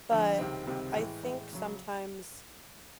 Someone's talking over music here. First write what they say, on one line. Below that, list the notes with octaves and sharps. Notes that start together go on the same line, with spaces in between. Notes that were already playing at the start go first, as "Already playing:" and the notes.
but, I think sometimes
F2 D3 F3
C#2 C3 D#3 G3 C4
C#2 C3 D#3 G3 C4
A2 E3 G#3
A2 E3 G#3
C#3 F#3